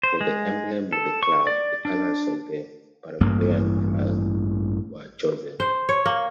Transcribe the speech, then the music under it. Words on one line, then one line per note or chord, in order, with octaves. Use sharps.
For the emblem of the club, the colors of the Paraguayan flag were chosen.
C5
G#3
A4
C#6
D5
D4
A1 G2 E3 A#3
C5
C#5
A#3